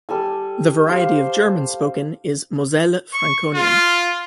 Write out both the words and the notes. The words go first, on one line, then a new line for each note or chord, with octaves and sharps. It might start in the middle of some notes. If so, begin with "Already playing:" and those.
The variety of German spoken is Moselle Franconian.
G3 A4 G#5
G4 C5 F5
C#6
F4